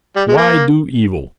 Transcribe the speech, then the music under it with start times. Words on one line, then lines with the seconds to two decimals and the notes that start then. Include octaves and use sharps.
"Why do evil?"
0.16 G3
0.29 G#3
0.38 A#3